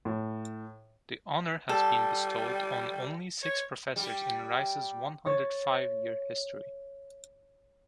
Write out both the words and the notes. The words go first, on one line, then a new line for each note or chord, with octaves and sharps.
The honor has been bestowed on only six professors in Rice's one-hundred-five-year history.
A2
G3 A4
C#5
G3 G4
C#5 A6